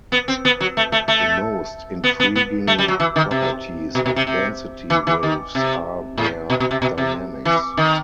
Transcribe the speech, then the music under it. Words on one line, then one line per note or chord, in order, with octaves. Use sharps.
The most intriguing properties of density waves are their dynamics.
B3
C4
B3
F#3
A3
A3
A3
B3
B3
B3
A3
G3
F#3
E3
D#3
C3
B2
B2
C3
C3
E3
E3
D#3
C3
A2
B2
B2
C3
B2
C3
E3
D#3